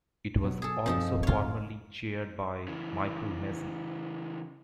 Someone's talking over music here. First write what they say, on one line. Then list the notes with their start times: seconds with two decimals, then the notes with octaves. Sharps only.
It was also formerly chaired by Mychal Massie.
0.43 B2 F#3 B3
0.62 G#4 A4
0.86 F#2 F3 C4 D#4 A4
1.23 F4 C#5
2.68 C#3 E3